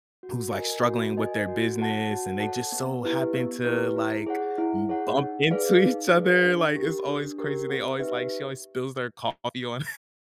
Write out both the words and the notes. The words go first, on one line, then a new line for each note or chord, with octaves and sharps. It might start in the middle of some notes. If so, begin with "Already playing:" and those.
who's, like, struggling with their business, and they just so happen to, like, m bump into each other, like, it's always crazy. They always like she always spills their coffee on
F#4
A#4 D#5 G#5
F#4
A#4 D#5 G#5
F#4
A4 C#5 F#5 A5
F#4
A4 C#5 F#5 A5
B3
E4 G4 B4
B3
E4 G4 B4
E4
G#4 C#5 F#5
E4
G#4 C#5 F#5
D#4
G#4 B4 D5 F5
D#4
G#4 B4 D5 F5
D4
G4 A#4
D4
G4 A#4
C4
D#4 G4 B4 E5